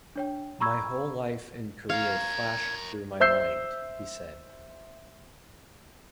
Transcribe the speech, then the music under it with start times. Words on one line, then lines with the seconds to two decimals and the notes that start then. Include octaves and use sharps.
"My whole life and career flashed through my mind," he said.
0.15 D4 C#5 G5
0.60 A#5 B5 C#6 E6 G#6
1.90 A#4 C#5 F5 G#6
3.20 C5 E5 E6 G6 C7